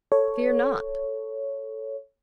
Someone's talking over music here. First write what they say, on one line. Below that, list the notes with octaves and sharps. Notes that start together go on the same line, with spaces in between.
"Fear not!"
A4 C#5